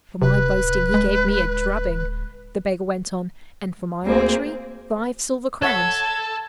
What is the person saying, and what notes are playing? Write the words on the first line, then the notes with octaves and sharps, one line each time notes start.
"For my boasting he gave me a drubbing," the beggar went on, "and for my archery five silver crowns."
D1 C3 B4
G#3
D2 A#3 C4 G#4
A4 C#5 E5 F#5 A5 G#6